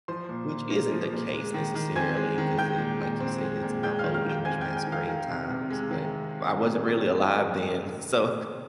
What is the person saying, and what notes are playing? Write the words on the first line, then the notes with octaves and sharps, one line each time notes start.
which isn't the case necessarily, 'cause it like you said, it's about Old English masquerade times, but I wasn't really alive then, so,
F3 C5 C6
A#2
A#2
A#3
F3
A#2
G#3
D#3
D#3
C4 G#5 G#6
G#3
D#3
G#3 G5 G6
A#2
A#2
C4
G#3
A#2
G#3 G5 G6
D#3 F5 F6
F5 F6
D#3 G5 G6
C4 G#5 G#6
G5 G6
G#3
G5 G6
D#3
F5 F6
D#3
C3
C3
G#3
D#3